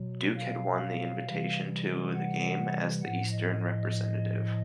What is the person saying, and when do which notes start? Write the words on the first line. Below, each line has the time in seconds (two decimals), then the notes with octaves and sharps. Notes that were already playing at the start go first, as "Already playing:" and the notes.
Duke had won the invitation to the game as the eastern representative.
Already playing: B2 F#3
0.37 F5
1.25 C3 E3 G3
2.14 F#5
3.02 A2 F3 F#5
3.31 D#5
3.61 D#5
3.90 D#5